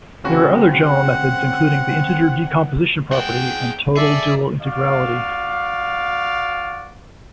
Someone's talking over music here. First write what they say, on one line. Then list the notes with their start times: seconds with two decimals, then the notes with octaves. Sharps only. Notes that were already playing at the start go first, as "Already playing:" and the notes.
There are other general methods including the integer decomposition property and total dual integrality.
0.24 D2 C#3 C4 F#4
0.71 F#5
3.13 G#4 F#5 G5
3.96 G#4 A4 D5 E5
4.61 F#4 D5 F5